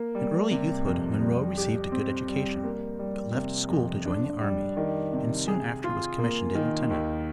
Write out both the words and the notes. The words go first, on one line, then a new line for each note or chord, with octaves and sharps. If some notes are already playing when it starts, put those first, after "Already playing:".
In early youthhood Monroe received a good education, but left school to join the army and soon after was commissioned a lieutenant.
Already playing: A#3
G3
C3
F2
G3
G4
C4
G3
A#3
G3
C3
F2
D4
G3
D#3
C3
G#4
F4
A#3
D#3
D#2